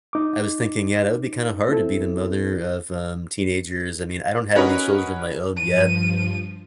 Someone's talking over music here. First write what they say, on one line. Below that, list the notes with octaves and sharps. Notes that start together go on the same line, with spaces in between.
I was thinking, yeah, that would be kinda hard to be the mother of, um, teenagers. I mean, I don't have any children of my own yet;
D#4 D6
C4 E4 A4
C#4 F#4 A#4 B4 C#5 D#5
G2 F3 D#7